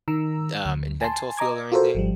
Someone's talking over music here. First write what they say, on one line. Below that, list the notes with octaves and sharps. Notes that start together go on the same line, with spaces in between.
d um, in dental field or anything?
D#3 A#5 E6
D2
G#5 A5 C6
D#5 A#5 D6 G#6
F4 F#4 A4 A#4 C5
G#1 F3 G3